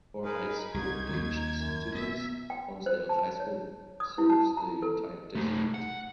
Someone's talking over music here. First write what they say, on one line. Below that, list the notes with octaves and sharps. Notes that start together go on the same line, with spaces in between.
For high school-aged students, Honesdale High School serves the entire district.
D#4 G#4 A#4 B4
C2 D#4 G#6
D#2
F#2
B3 E5
G5
C5
A5
C#5
D#6
E4
A5
A#5
A4
A3 D#4
F#5